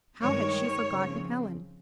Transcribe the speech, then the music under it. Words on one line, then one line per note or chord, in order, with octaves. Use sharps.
How had she forgotten Ellen?
G2 D#3 G#3 C#5
C#3 F3 C4